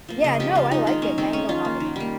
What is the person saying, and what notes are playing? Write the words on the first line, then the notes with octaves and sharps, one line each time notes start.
Yeah, no, I like it, Mango Habanero.
F3 A#3
C#3 D#5
F3 G#3 G4
C#3 F4
F3 G#3 D#4
D#3 D#4
A#3 C#4
D#3 C4
G#3 C#4
D#3 F4
A#3
D#3
G3 A#3